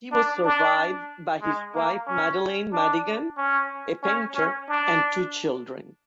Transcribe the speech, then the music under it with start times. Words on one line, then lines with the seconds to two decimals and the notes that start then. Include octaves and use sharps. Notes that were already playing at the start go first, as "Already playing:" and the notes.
He was survived by his wife, Madeleine Madigan, a painter, and two children.
0.12 D4
0.45 D4
1.42 G#3
1.74 A#3
2.07 C#4
2.73 D4
3.38 C#4
4.03 C#4
4.35 C#4
4.68 D4